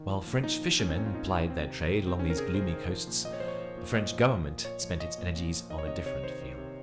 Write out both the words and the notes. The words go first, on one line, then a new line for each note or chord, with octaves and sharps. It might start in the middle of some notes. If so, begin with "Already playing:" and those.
While French fishermen plied their trade along these gloomy coasts, the French government spent it's energies on a different field.
Already playing: D#3
F3
A#2
A#2 D#4
F3
F3 C#4
C4
A#2 C#4
F4
A#2 D#4
F3
D#3 C4
C3
C3
D#3
C4
D#3 C#4
A#4
C3 G#4
C3 C5
D#3
F3
A#2
A#2 D#5
C#5
C5
F3
C#5
F3
A#2
A#2 D#5
F3
F3
A#2
A#2 C#5
F3
F3 D#5
A#2
A#2
F3
D#3 D#5
C#5
C3 D#5
C3 C#5
D#3 C5
D#3
C3